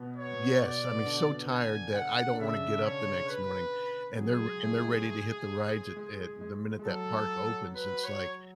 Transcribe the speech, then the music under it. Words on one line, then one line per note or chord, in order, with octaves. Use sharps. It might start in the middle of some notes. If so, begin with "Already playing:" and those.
yes. I mean, so tired that I don't wanna get up the next morning, and they're and they're ready to hit the rides at at the minute that park opens. It's like
Already playing: B2 B3
C#5
B2 B3 D5
D3 D4
G#5
F#5
D4
C#3 C#4 E5
C#5
B4
F#3 G#4
G#3
A2 A3
G#3
G#3
G#3
G#3
F#3 A4
B4
C#5